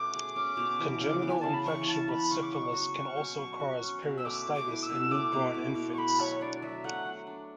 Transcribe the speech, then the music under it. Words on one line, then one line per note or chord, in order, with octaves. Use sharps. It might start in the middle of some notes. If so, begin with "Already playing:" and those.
Congenital infection with syphilis can also cause periostitis in newborn infants.
Already playing: B2 A3 C#4 D6
G#4
C#4
B2
E3
C#3
B3
G#5
C#3 A5
B5
E3 C#6
C#3 A5
B3 B5
C#3 C#6
D6
F#3 C#6
F#4
C#4
B2
F#3
F#4
C#4
B2
E6
A3 D6
B2
D6
E4
E6
B2
A3 D6
B2
E4
B2
C#6
A3 B5
F#3 C#5
D4 D5
F#3 E5
A3 F#5
F#3
D4